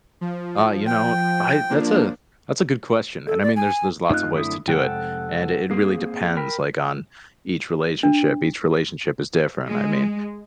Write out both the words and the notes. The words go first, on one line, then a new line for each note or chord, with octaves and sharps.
Ah, you know, I that's a that's a good question and I mean there's there's lots of ways to do it, and it it really depends, like, on each relationship. Each relationship is different, I mean,
F3
G5
F3 A#3 D4
A4
D5
G#5
F#2 A3 C4 D#4 F4 F#6
D3 E4 D#6
F2 C3 G#3 A4 F#5 G5
A#3 C4 G#4
A#4 G5 B5
D4
G#3